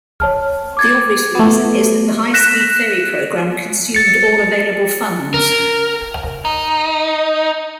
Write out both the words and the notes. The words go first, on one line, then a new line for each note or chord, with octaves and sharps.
The obvious reason is that the high speed ferry program consumed all available funds.
C#5 A5 F6
D6 G#6 A6
A3 B3
F#6 A#6 B6 E7
A6 C#7
A#4
D#4